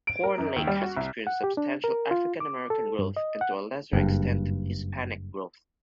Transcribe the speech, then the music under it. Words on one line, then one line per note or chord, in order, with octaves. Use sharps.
Horn Lake has experienced substantial African-American growth and to a lesser extent Hispanic growth.
D7
A#4
F#2
D#2
G3
F#4
C2
F#5
G4
D4
A#4
F4
D6
A4
G2
D#5
F#5
F#1 G2